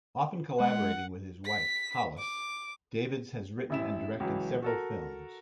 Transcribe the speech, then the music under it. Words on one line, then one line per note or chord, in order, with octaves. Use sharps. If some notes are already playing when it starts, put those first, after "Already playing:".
Often collaborating with his wife, Hollace, Davids has written and directed several films.
G#3 F#5
B6
D6
A1 E4 E7
C#2 E3 F#3
F#4 A4 A#4